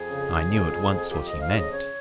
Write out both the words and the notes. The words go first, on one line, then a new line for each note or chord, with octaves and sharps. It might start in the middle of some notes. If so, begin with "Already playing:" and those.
I knew at once what he meant.
Already playing: F2 G#4
C#3
C#3
F2
F2
F2
F2 G4
D#5
F2
F5
C#3
D#5
C#3 C#5